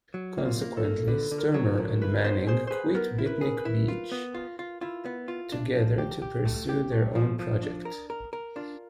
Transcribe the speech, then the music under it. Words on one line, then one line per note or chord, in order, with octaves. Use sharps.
Consequently Sturmer and Manning quit Beatnik Beatch together to pursue their own project.
F#3
A#3
F4
A#3
A4
A#3
D3 B4
D3
A#4
F#3
D3
E4 B4
B3 C5
G#4 C5
G#4 B4 C5
B3 A#4
E4
B4
G#4
B4
E4
F4
B3
F4
F4
E4 F4
B3
F4
D4
F3
G4
G4
A3
G4
A3
F3
F3
D4
A#4
A#4
A#4
D4 F4